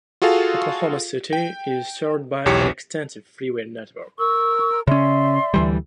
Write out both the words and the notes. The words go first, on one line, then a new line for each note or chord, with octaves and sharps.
Oklahoma City is served by an extensive freeway network.
F4 F#4 G#4 A4 F5
G5
B1 E2 G4 C#5 C#7
A#4 C#6 E6
C#3 C#4 D5 E5 C6
D2 E3 G3